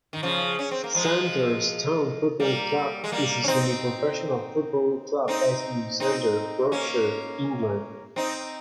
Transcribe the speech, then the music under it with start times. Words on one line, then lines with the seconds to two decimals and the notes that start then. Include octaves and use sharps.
Sandhurst Town Football Club is a semi-professional football club based in Sandhurst, Berkshire, England.
0.13 D#3
0.23 C#3 F3
0.59 C#4
0.71 C4
0.84 A#3
0.95 F3 G#3
2.40 G3 A#3
3.04 G#3
3.12 G3 A#3
3.44 C#4
3.48 C4 D#4
5.28 C4 D#4
6.00 C4 D#4
6.72 A#3 C#4
8.16 C4 D#4